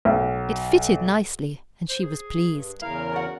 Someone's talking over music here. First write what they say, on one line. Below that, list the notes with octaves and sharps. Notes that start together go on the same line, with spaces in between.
It fitted nicely, and she was pleased.
B1
C5
G#4
G2
E2 C#3 E4 A#4 F5
F#4 D5 F#5